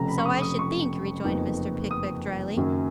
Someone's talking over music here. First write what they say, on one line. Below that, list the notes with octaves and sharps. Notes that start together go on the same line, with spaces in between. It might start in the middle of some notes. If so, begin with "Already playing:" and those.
'So I should think,' rejoined Mr. Pickwick drily.
Already playing: F1 F2 C#3 F3 A#5
B5
C#6
D#6
D#6
C#6
F#1 F2 F3 B3 D#4
D#6
F#1 F#2 D#3 F#3 C#4